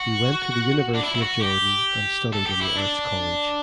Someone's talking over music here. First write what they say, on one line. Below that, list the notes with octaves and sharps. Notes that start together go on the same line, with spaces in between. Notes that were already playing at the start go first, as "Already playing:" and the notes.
He went to the University of Jordan and studied in the Arts College.
Already playing: F#4
D4
E4
E4
F#4
G4
A4
G4
E4
D4